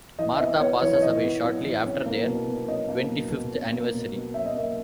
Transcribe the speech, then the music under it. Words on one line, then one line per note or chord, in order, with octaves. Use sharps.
Martha passes away shortly after their twenty-fifth anniversary.
E3 D#5
E5
B3 D#5
B3 C#5
E3 C#5
C#5
E3 D#5
B3
B3
E3
C#4
A#3
B2
B2
C#4 D#5
A#3
B2
B2
C#4
A#3
B2
B2
C#4 E5
D#5
A#3 E5